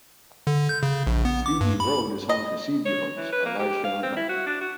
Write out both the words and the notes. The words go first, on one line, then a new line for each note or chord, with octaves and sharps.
Sea View Road is home to Sea View House a large family home.
D3
G6
C#3
A#1
B3
D6
G2
B5
D#5
C#5
E3
B4
A#3
G4
F5
C4
E4
F#4
D4
F#4